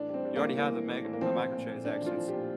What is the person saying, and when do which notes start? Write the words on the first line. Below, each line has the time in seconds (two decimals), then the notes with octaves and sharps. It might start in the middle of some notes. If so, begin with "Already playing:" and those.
you already have the meg the microtransactions,
Already playing: A2 E3 D4
0.09 G3 C4
0.25 G3
0.36 A#3
0.41 A2
0.57 E3 A#3
0.72 A2
0.89 A2
1.05 A2
1.13 A#3
1.21 F3 C4
1.37 F3
1.53 A#2
1.69 A#2
1.85 A#2 D4
2.01 F3
2.06 F4
2.17 F3
2.28 G4
2.34 A#2